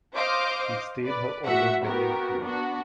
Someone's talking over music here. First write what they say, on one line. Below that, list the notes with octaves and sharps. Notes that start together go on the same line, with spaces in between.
She stayed her order pending appeal.
C5 D#5 F5 C6 D6 G6
B4 D5
A2 F#4 E5 F#5
B3 F#4 G4 A#4
B3 D4 F#4